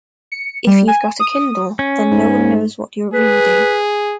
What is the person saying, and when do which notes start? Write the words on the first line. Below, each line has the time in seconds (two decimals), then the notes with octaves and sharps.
If you've got a Kindle then no one knows what you're reading.
0.32 C#7
0.67 G3
0.88 G#5
1.20 D#6
1.79 C#4
2.11 G#2
3.14 G#4 B4